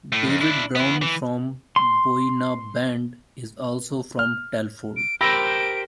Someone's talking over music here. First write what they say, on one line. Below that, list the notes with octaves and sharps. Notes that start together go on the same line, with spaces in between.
David Brown from Boyinaband is also from Telford.
A2 A3
F2
D4 E4
B3 E4
E3
C6
F6
D7
G4 A#4 C5 B5 E6 A#6 D7